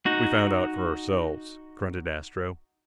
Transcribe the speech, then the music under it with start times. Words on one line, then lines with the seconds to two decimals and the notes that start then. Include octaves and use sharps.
"We found out for ourselves," grunted Astro.
0.06 D#4 F#4